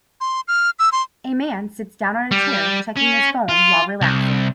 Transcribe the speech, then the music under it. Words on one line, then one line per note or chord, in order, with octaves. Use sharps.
A man sits down on a chair, checking his phone while relaxing.
C6
F6
E6
C6
G3
C#4
F4
C2